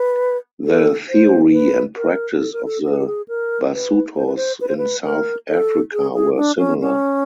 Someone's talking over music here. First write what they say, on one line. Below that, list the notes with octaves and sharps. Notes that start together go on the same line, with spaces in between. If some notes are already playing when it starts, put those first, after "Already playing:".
The theory and practice of the Basutos in South Africa were similar.
Already playing: B4
A4
C5
B4
A#4
A4
A#4
A4
A4
G#4
G4
G#4
A#4
B4
C5
B4
C5
B4
C5
B4
A#4
A4
G#4
G#4
D4
C#4
C#4